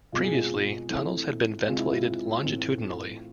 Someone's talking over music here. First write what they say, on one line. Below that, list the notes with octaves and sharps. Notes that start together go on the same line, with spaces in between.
Previously, tunnels had been ventilated longitudinally.
B2 G#3 C4 F4
G#4
F4
E3 A3 C4
C3 G#3 C4 F4
E4
F4
A2 E3 A3 C4